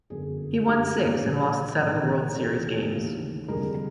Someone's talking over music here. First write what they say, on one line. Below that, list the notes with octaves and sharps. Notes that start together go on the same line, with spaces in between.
He won six and lost seven World Series games.
G1 F#2 D3 G#4
G1 F#2 D3 G4
G4
A#1 A#2 F#3 G#4
A#1 A#2 F#3 G#4
D#2 C#3 E3 A4
A#4
G4 A4
D#2 C#3 E3
F1 F2 D3 G3 G#4 A#4